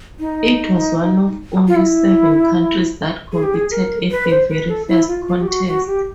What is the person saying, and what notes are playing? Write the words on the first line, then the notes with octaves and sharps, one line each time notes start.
It was one of only seven countries that competed at the very first contest.
D#4
F4
E4
G#4
G4
G#4
A#4
B4
C5
B4
A4
E4
F4
F4
G4
F#4
F#4
G4